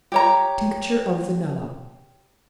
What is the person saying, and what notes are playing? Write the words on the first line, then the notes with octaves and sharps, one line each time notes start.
Tincture of Vanilla.
G4 C#5 A#5